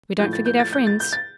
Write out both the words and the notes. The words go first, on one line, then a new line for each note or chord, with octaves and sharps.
We don't forget our friends.'
A2 F3 G6
A6
G6
A6
G6
A6
G6
A6